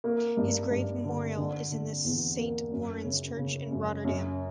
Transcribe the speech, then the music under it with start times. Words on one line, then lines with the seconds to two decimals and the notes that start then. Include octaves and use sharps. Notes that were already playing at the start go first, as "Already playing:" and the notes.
His grave memorial is in the Saint Laurens Church in Rotterdam.
0.04 A#3
0.37 G2
0.71 G2
1.04 D3
1.37 D3
1.71 D3
2.05 E2
2.37 A#3
2.71 F#2
3.04 C#3
3.37 C#3
3.71 F#2
4.04 F#2